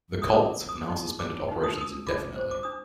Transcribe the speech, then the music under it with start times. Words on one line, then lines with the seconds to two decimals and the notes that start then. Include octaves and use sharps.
The Colts have now suspended operations indefinitely.
0.22 D#6
0.32 A#4 D6
0.61 A#4
0.69 D#6
0.76 D6
0.90 D#4
1.19 A#4 D6
1.48 D#4
1.63 D#6
1.78 A#4 D#6
2.07 F4 D6
2.36 C5
2.51 D6
2.63 D4 D#6